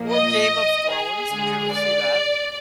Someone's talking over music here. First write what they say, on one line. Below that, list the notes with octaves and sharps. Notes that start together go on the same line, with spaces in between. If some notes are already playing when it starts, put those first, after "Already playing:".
Or Game of Thrones? Did you ever see that?
Already playing: A#2 F3 A#3
D#5
G#4
D3 G#3
D5